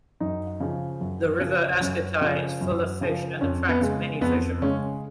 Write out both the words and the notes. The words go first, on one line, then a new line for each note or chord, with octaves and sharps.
The river Escotais is full of fish and attracts many fishermen.
F#2 D#4
C#3 F3
F#2
C#3 F3
F#2 C#4
C#3 F3
F#2
C#3 F3
F2 C#4
B3
C#3 G#3
F2 B3
C#3 G#3 C#4